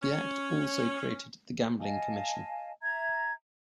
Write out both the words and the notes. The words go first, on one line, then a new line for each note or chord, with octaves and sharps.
The Act also created the Gambling Commission.
C#4
D#5 F5 G#5 A5
E5 A#5 G#6